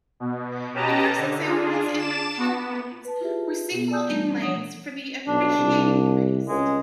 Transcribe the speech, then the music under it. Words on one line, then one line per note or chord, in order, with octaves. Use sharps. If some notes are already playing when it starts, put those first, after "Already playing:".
The first examples in the catacombs were single inlays for the officiating priest.
B2
C#4 G4 B4 D#5 A5 A#5
D3
D4 F4 G#4
A5 D6 E7
B3
B4 A5
E4 F4 G4 G#4 E5
B2 B3
D5 G#5 A5 D#6 E6 G6
E3 G3 A3 D4
E3 F3 C#5 F#5 D#6
B1 D4
C2
C#2 G#3